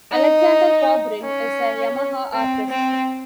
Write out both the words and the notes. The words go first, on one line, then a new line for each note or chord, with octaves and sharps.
Alexander Kobrin is a Yamaha Artist.
D#4
C#4
C4
C4